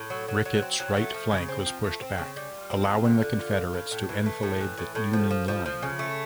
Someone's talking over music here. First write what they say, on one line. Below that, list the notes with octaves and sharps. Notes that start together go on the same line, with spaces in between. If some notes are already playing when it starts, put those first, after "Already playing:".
Ricketts's right flank was pushed back, allowing the Confederates to enfilade the Union line.
Already playing: A2
F#3
F#3
F#3
C4
F#3
A3
F3
C#3
C4
F3
A3
C4
C#3
G3
F4
C4
F4
D3
D3
F4
F4
A2
A2
E3
A3
A2
E3
A2
A2
F3
F3
F3
F3
C#3
A3